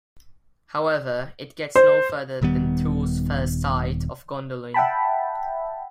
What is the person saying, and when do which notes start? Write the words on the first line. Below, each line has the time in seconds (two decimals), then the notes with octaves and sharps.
However, it gets no further than Tuor's first sight of Gondolin.
1.76 C5
2.42 D#1 D#3 G3 B3
4.74 E5 F#5 G5 A5 B5